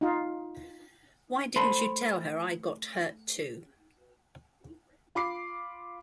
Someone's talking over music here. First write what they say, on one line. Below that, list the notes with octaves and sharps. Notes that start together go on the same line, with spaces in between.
Why didn't you tell her I got hurt, too?
D#4 F4
A3 C5 B5 C6
F4 B5 D6 C7